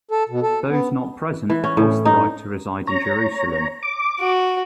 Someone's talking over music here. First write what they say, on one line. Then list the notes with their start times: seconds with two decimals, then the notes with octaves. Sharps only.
Those not present lost the right to reside in Jerusalem.
0.11 A4
0.29 B2
0.43 A4
0.69 B3
1.50 E3
1.64 C#4
1.77 A2
2.05 D#4
2.87 C#5 A#5
3.83 D6
4.20 F#4